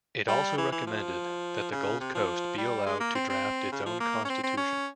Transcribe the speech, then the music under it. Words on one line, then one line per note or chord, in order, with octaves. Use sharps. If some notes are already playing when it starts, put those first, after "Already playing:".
It also recommended that the Gold Coast be allowed to draft its own constitution.
G3
E3
E3
F3
C#3
C3
F3
G3
G#3
A#3
C4
C4
C#3
F3
A#3
C#4
C4
C4
C#4